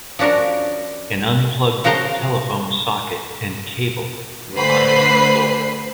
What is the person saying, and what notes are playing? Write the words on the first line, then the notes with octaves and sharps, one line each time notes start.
An unplugged telephone socket and cable lie on the floor.
F3 C#4 D4 F#4 A#4
C#3 F3 F#4 A#4 C5 A#5
D3 A3 B4 C5 B5 C7